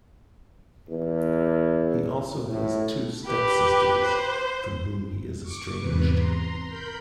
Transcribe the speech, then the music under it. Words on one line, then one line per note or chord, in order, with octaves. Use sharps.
He also has two step-sisters, from whom he is estranged.
E2
A2
G4 B4
C5
C#6 D6 C#7
E2 G#2 C3 B4
A#5 C6
A#4 B5 G6